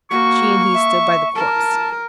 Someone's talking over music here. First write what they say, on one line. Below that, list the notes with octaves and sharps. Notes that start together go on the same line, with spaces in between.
She and he stood by the corpse.
A#3 F#4 C#6
E5
A#4 A5